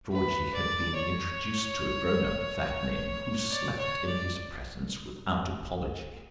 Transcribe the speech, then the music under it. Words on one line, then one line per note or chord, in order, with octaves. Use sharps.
Georgie had been introduced to a grown-up of that name, who slept in his presence without apology.
B4
D5
C#5
D5
C#5
D5